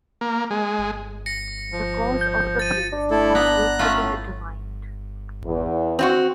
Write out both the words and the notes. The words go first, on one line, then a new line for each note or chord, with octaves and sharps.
The cause of the blaze has yet to be determined.
A#3
G#3
A#6 C#7
F3
G6
A6 D#7
D4
A3 E4 A4
B3 A#5 F#6
A3 C#4 F4
A2
E2
C4 F4 F#4